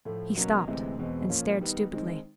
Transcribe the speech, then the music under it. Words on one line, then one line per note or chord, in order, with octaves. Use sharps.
He stopped and stared stupidly.
A2 F3 A3
B2 F#3 A#3 C#4 F#4
D2 C3 E3 G#3 C4
E2 B2 G#3 C4
A#2 F3 A#3 C#4 F4
D#3 G3 B3 D#4
D#3 G#3 C4